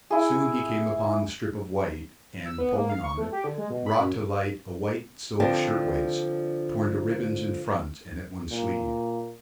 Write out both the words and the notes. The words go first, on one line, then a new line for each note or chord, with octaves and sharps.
Soon he came upon the strip of white, and, pulling on it, brought to light a white silk shirtwaist, torn to ribbons in front and at one sleeve.
E4 G#4
E6
B3
A#3
F5
C#6
A3
G4
D3
G#3
B2
B5
F#2
D3 F3 C4 D4
A#2